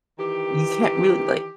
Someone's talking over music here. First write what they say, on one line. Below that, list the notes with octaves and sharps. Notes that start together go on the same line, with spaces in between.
you can't really, like
D#3 E3 G4